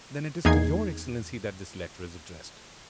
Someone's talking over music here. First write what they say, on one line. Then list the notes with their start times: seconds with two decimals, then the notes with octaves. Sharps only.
"Then it is to your excellency that this letter is addressed."
0.45 E2 A#3 D#4 G#4 G#6 C7